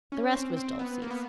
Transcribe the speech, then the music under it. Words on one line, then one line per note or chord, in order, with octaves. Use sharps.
The rest was Dulcie's.
C#4
C4
C4
B3
A#3
B3